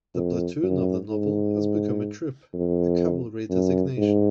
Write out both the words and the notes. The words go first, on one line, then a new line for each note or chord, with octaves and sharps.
The platoon of the novel has become a troop, a Cavalry designation.
F2
F#2
G#2
F2
F#2
G#2